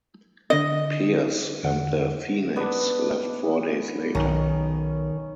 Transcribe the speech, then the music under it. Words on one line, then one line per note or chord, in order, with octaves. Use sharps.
Pearse and the "Phoenix" left four days later.
D3 D4 D#5
E2 D3 F#5
B3 D4 D5
B1 D#3 C#4